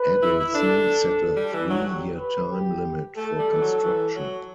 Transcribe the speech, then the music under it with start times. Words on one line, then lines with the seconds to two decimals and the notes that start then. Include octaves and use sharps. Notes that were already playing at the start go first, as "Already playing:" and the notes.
Adelson set a three-year time limit for construction.
Already playing: B4
0.22 E4
0.40 E4
0.55 D4 A4
1.36 G3
1.53 E3
1.70 F#3
1.86 G4
2.19 B4
2.52 G4
3.17 A3 A4
3.39 G3
3.53 E3
3.61 F#3
3.83 E3
4.16 F#3